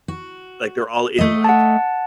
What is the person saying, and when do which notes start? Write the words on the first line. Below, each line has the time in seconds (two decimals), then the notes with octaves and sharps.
like, they're all in, like,
0.08 F#4
1.18 A3 D#5
1.44 F#5 A5